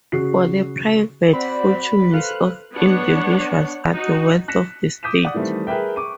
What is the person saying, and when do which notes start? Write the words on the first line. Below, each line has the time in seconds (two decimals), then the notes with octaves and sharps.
For the private fortunes of individuals are the wealth of the state.
0.12 C#3 F#4 C7
1.33 C4 F#4 D5 B5
2.14 A4 B4 C5 F5 F#6
2.74 B3 D4 C#5 F#5
3.93 D#4 F#4
4.48 F#6 A#6 B6 C#7 E7
5.03 D6 D#6 G6 B6 D#7 E7
5.23 D5 F#5 D#6
5.34 D#3 E3 G3 A3 C4
5.67 G#4 A#4 B4 E5 G5
5.96 C#6 D6 D#7